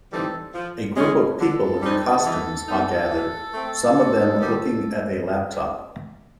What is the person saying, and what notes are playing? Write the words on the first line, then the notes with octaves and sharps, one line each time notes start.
A group of people in costumes are gathered, some of them looking at a laptop.
E3 G3 C4 D#4 A4
F3
G#3 C#4
D3 A4
G3 C4 D#4
E3
G3 B3 D#4
E3
A3 C4
C3
D#3 G3 B3